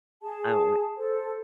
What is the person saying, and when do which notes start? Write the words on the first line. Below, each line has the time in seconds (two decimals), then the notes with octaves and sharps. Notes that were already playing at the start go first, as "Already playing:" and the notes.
I don't li
0.22 G#4 A5
0.96 A4 C5